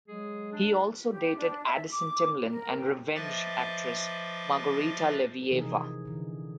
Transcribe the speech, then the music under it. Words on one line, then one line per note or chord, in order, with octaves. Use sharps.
He also dated Addison Timlin and "Revenge" actress Margarita Levieva.
F#3 G#3 G#4
D4
G4
D4
E5
D6
A#4
G5
F3 B4 D#5 E5 D6 A6
C3 E3 F3 D#4 G#4 A#4
D3 E3